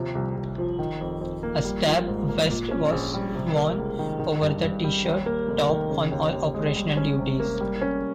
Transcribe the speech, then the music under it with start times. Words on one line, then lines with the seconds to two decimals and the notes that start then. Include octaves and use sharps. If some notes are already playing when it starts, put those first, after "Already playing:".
A stab vest was worn over the T-shirt top on all operational duties.
Already playing: D#2 C3 F3
0.15 C2
0.36 C2
0.58 F3
0.79 D#3
1.01 F2
1.21 F2
1.43 A#3
1.65 G3
1.86 F4
2.07 G#2
2.29 A#3
2.50 A#2
2.71 C#4
2.92 A#1
3.14 G3
3.35 C3
3.55 A#3
3.78 C#2
3.99 D#3
4.20 D#3
4.42 G2
4.63 G2
4.84 G3
5.05 D#2
5.26 A#3
5.48 F1
5.69 D#3
5.91 C#3
6.12 D#2
6.33 D#2
6.54 G#3
6.75 G3
6.97 C#4
7.19 C3
7.39 A#3
7.60 G3
7.81 C#4